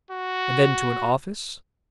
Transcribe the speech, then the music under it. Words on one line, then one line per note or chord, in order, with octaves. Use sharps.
"And then to an office?"
F#4